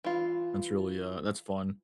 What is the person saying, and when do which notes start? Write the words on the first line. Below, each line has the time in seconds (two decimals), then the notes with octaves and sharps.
That's really, uh, that's fun,
0.04 E3 F4